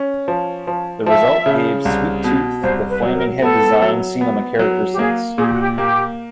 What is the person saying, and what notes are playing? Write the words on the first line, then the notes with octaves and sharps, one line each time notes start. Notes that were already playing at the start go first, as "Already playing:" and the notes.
The result gave Sweet Tooth the flaming head design seen on the character since.
Already playing: C#4
F3
F3
F3 E5
C#3
C2
B2
C2 C5
B4
F#3
A#4
B3 A4
F#3
B3
F#3
G4
A#3 G#4
A#2 G#4
G4
F#4
G4
A#3 G4